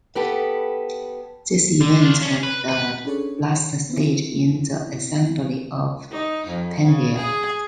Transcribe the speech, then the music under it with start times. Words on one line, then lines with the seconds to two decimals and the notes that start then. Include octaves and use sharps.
This event was the last stage in the assembly of Pangaea.
0.15 B3 G4 A4 B4
1.81 D3
2.00 D4 F4
2.22 C#4 D4
2.43 B4
2.69 B4
3.05 C#4 D4 G#4 A4 C#5
3.90 B3 C4 E4
6.11 D#4
6.48 F2
6.83 C#3
7.16 G#4